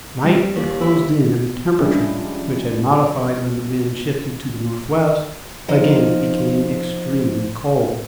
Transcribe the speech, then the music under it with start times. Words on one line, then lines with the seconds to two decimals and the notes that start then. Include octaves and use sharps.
Night had closed in, and the temperature, which had modified when the wind shifted to the northwest, again became extremely cold.
0.24 G3
0.55 D#2
0.81 E4
1.79 F3 G3 G#3 C#4 D4 E4
5.68 F3 D#4 D#5